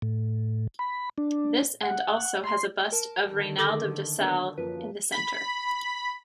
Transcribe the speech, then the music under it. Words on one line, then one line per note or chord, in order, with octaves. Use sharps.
This end also has a bust of Rainald of Dassel in the center.
A2
B5
D4
F#5
C6
A#4 A5
D3 D#3
A4 D6 A#6
A#3 B3 D4
F#2 F3 A#3 B4
B5